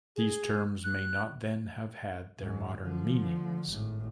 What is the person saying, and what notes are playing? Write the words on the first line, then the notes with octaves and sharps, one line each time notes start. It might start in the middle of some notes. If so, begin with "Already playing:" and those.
These terms may not then have had their modern meanings.
G#4
F#6
D#2 G#2
D3 F3
G#1 A2